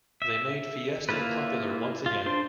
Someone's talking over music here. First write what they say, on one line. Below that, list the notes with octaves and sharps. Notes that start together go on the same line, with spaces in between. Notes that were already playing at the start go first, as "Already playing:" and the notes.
They made Fiesta popular once again.
E5
A#3 E4 F4 B4
F4
D4 C5 C6